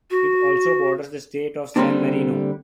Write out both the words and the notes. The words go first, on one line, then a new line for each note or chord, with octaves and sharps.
It also borders the state of San Marino.
F#4
D3 G3 A#3 C4 D4